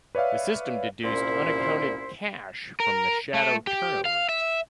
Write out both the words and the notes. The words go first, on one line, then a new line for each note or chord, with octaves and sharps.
The system deduced unaccounted cash from the shadow turnover.
B4 C#5 D5 E5 F5
C2 A#2 C#4 E4 C5
A#4
A3
G4
F5
E5